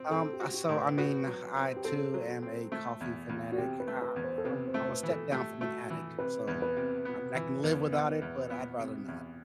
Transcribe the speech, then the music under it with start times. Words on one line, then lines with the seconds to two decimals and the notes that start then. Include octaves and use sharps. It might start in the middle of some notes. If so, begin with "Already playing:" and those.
Um, I so, I mean, I too am a coffee fanatic. I I'm I'm a step down from an addict, so, I mean, I can live without it, but I'd rather not,
Already playing: C4
0.11 C4 A4
0.33 G4
0.40 F#4
0.54 G4
0.69 A2
0.76 B4
0.97 F#4 B4
1.27 F#3
1.56 C4
1.76 G4
1.84 C4 A4
2.14 F#3
2.43 C4
2.72 A3
3.01 E2
3.29 E2
3.52 F#4
3.58 C3 G4
3.80 B4
3.87 A3
4.02 B4
4.16 E2
4.24 C5
4.38 A4
4.45 C3 B4
4.67 C5
4.74 A3
4.84 C5
4.89 B4
5.03 E3
5.10 A4
5.32 A3 G4
5.61 A3 F#4
5.90 E3
6.19 C3 B4
6.47 E2
6.62 B4
6.76 C3
7.05 B3
7.35 E3
7.63 E2
7.92 E2
8.22 E2
8.50 B3
8.79 C3
9.08 E2